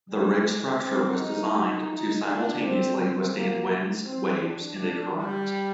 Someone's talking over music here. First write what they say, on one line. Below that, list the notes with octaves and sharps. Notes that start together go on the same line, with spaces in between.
The rig's structure was designed to simultaneously withstand winds, waves, and a current.
G3
G#3
C4
D#4
D#4
D4
C4
C4
A#3
C4
D4
D4
G3